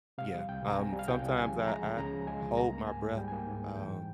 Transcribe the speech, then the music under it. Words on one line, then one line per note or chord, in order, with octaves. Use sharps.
Yeah, um, sometimes I I hold my breath, um,
C3 F5
G3
C2 G5
C2 A#5
C3 G#5
G3
F5
C2 G5
C2
C#3 G#5
F3
G#3 A#5
C#2
C#3 A#5
F3
G#3 G#5
C#2
G3 A#5
A#3
G#2 G#5
G#2
G3 G5
A#3 G#5
G5
G#2
G#2
E3 G5
G3